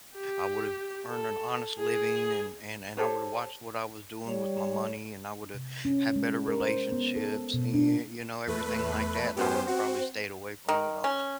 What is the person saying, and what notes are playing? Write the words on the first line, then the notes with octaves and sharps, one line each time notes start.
I would've earned an honest living and and and I would've watched what I was doing with my money and I would've had better relationships, y you know, everything like that, and I would have probably stayed away from, you know,
G4
A4
G#4
G4 A4 C5 C#5
G3 C#5
C3
C#4
G#3
A#4
C5
B3
A4
B2
D4
E2 A3 B4
F#2 B3 G4 C5
C4 F#4
D#3
C#4